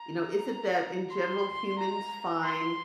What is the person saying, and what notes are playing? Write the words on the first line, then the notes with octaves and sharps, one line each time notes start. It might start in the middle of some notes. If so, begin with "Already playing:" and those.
You know, is it that in general humans find
Already playing: A#5
C6
A#5
C6